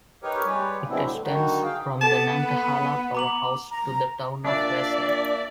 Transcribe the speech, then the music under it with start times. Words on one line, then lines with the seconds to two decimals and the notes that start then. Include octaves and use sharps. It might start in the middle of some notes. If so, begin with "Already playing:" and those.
It extends from the Nantahala Powerhouse to the town of Wesser.
0.23 D#4 G4 A#4 B4 C#5
0.45 G3 G#3 G4 B4 C#5
0.90 F#3 G#3 B3 C4 D4 E4
1.08 A2
1.24 D3 D#3 F#3 D#4 F#4
1.63 G#4 F5 G5
2.01 B3 A4 A5 E7
2.39 B4
3.15 A#5 D6 F#7
3.72 A#5
4.45 A#2 D4 D5 E5